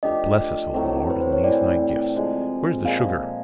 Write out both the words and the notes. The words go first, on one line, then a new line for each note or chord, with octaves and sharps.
Bless us, O Lord, and these thy gifts. Where's the sugar?
F3 A3 D4 G4 D#5
A2 F#3 A3 C4
B4
C5
C#5
A2 E3 A3 C4 D5
C3 F3 G#3
A#2 F3 G#3 F5